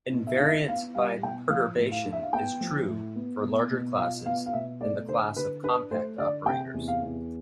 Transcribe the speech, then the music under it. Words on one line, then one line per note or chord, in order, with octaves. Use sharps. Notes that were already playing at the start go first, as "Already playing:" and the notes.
Invariance by perturbation is true for larger classes than the class of compact operators.
B2
E5
D4 F5
E5
B3 F5
G3 F5
B2 G5
F3 F5
A2
F5
D4
E5
F5
B3 G5
F3
A2
B3
B2
B2
F4 F5
B3 F5
F5
B2 E5
A3 D5
D3 C5
D3 B4
D4 B4
A3 C5
D3 D5
C3 G5
E2
F5
E2